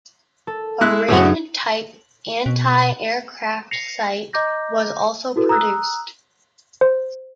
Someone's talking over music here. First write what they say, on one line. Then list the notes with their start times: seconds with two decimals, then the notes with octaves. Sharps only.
A ring-type anti-aircraft sight was also produced.
0.47 A4
0.81 G#3 E4 F#6
1.08 F#2 A2 C#3 F#4 G#4
2.46 B2
3.71 A#6 C7 C#7 F7
4.33 D#5 A#5 D6 G6 A#6
5.36 E4 F#4 A4 B4
5.49 A#5 D#6 E6 F#6
6.81 C5